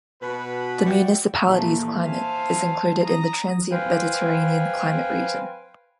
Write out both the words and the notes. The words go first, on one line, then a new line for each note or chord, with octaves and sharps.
The municipality's climate is included in the transient-Mediterranean climate region.
B2 B4 B5
F#4 G4 D5 E5 G5
A#2 E3 F3 G3 A3 A#3
C5 E5 F5 G#5 A5
A#5 D#6
B4 C5 F5 G5 G#5